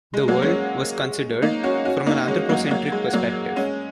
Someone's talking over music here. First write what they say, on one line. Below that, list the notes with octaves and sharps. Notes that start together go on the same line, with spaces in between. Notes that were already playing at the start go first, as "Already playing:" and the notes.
The world was considered from an anthropocentric perspective.
G#3
F#3 A#3
G#3 C#4
A#3 D#4
C#4 F#4
C#4 F#4
A#3 D#4
G#3 C#4
F#3 A#3
F#3 A#3
G#3
F#3 A#3
G#3 C#4